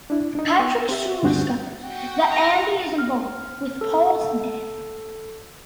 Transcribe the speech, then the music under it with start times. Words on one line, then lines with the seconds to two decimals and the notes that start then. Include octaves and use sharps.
Patrick soon discovers that Andy is involved with Paul's death.
0.10 D4 E4
0.35 D4 D#4
0.59 B3
0.89 C4 G4 E5
1.23 D2 G2 C4 F#4 G#4 G6
1.84 F#4 F#5 G5
2.31 A#5 A#6
2.98 F6
3.81 A4